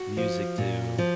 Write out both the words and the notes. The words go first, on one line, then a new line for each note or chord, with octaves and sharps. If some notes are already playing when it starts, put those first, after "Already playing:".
music to
Already playing: F#4
F3
A#2
F3